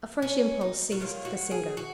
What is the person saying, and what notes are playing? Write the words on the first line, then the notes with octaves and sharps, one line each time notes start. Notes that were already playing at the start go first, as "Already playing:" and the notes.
A fresh impulse seized the singer.
C#4
D#4
F#4
C3 D#3 F#3 A#3 F4
F#4
G#4
F#4